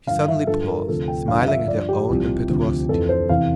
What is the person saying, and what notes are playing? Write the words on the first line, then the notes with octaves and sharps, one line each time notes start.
She suddenly paused, smiling at her own impetuosity.
G2 D3 F3 F5
E5
G2 F3 A4
A#4
D2 C3 F3 A4
G5
G2 D3 F3 F5
E5
G2 F3 D5
G4
C2 C3 F3
D2 C3 F3
F2 E3 A4
C5
E2 C3 E3 F5